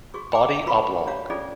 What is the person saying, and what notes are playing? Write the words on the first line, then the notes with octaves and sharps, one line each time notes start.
Body oblong.
F#4 G#4 C#6
G5 G#5 C6 D6
F4 F#4 B4 A#5 B5 C#6
D4 G4 C#5 F5 A#5
C#4 D#4 F4 G#4 A4 D5